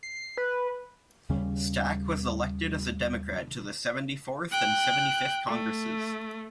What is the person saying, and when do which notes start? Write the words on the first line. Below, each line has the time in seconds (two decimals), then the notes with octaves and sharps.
Stack was elected as a Democrat to the Seventy-fourth and Seventy-fifth Congresses.
0.03 C7
0.37 B4
1.29 D#2 C#3 G3 C#4
4.51 G5 F#6
5.47 A3